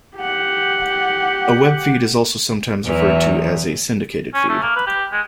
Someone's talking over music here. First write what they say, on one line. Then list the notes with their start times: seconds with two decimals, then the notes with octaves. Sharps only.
A web feed is also sometimes referred to as a "syndicated feed".
0.17 G4 F#5
2.85 E2 E3 F#3
4.34 C#4
4.49 A3
4.62 A#3
4.76 B4
4.87 G4
5.12 G#3